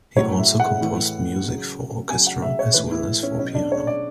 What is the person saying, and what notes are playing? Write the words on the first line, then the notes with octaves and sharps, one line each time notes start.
He also composed music for orchestra as well as for piano.
A2 F#3 C#5
E5
F#5
A2 E3
C#3 F#3
C#3 F#3 G#5
F#5
E5
C#5
A2 E3 B4
E4
C#4
B2 F#3 C#4
D4
C#5
D5